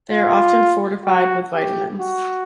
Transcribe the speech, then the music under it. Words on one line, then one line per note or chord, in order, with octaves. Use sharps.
They are often fortified with vitamins.
F4
F#4
G4
F#4